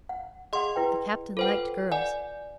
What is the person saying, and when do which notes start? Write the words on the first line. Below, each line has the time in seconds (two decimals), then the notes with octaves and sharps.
The Captain liked girls.
0.09 F#5
0.53 G#4 D#5 F#5 C6
0.76 E4 B4 G5
1.37 F4 A4 B4 C5 F#5 G5
1.92 D5 F#5 G#5